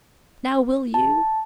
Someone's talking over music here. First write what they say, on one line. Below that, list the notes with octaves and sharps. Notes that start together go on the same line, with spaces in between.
Now, will you?'
A5